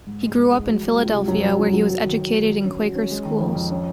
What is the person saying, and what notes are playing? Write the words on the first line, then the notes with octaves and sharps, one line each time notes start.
He grew up in Philadelphia where he was educated in Quaker schools.
G#2
G#3
G#2
G#3
F#3
F#3
C#2
C3
F#2
F#3
F#2
F#2
F#3
D#3
F#3
D#3
F#3
C#4
F#3
C#4
G#3
D#3
F2
F2
C#4